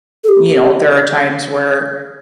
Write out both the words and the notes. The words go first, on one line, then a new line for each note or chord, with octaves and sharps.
you know, there are times where,
A4
G4